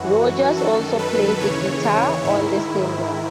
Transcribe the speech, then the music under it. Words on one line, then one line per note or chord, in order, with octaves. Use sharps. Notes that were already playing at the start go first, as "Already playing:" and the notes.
Rodgers also played the guitar on the single.
Already playing: F#2 E3 F#4
F#2 D#3 A4
B4
D#2 C#3 E3 C#5
C#5
G#2 D#3 E4